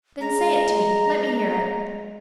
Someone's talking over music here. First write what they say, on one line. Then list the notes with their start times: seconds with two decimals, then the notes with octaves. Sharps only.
"Then say it to me--let me hear it."
0.21 G#3 A#5